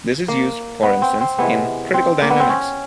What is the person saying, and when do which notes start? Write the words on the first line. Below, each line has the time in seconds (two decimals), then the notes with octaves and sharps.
This is used, for instance, in critical dynamics.
0.28 A#3
0.83 B3
1.02 C4
1.21 C4
1.39 C3 E3 G#3 B3
1.94 C4
2.22 A#3
2.30 B3
2.40 C4
2.49 C#4